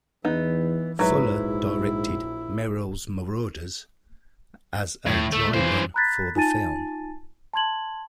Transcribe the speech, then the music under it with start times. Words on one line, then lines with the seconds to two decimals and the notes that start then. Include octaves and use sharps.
Fuller directed "Merrill's Marauders" as a dry run for the film.
0.25 E2 E3 B3 D#4
0.99 A#1 G#2 F#3 E4 B4 E5
5.06 E1 D#2 A2
5.33 D2 A3
5.54 E2 C3 E3 C5
5.70 G2
5.94 A#5 B5 F#6 G#6 A6 B6
6.36 D#4 F4 G#5 A5 A6 D#7
7.53 A5 C6 G#6 F#7